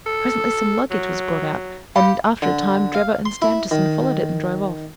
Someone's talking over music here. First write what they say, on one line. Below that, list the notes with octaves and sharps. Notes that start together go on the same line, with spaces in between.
Presently some luggage was brought out, and after a time Drebber and Stangerson followed it, and drove off.
A4
F#3
G4 F5 B5
D3
F5
C6
E4
D#3